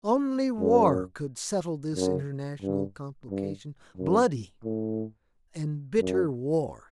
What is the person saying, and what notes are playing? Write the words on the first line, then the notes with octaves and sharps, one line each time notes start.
Only war could settle this international complication--bloody and bitter war.
F#2
F#2
G2
G2
F#2
A2
F#2